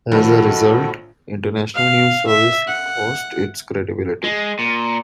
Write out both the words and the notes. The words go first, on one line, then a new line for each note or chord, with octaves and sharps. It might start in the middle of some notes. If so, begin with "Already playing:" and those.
As a result, International News Service lost its credibility.
A#1 A2 D#3 F#4 A4
F5
E5
F#5
G#3
A#2